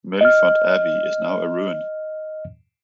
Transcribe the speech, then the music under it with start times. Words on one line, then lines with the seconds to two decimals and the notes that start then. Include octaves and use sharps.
Mellifont Abbey is now a ruin.
0.21 D#5 F6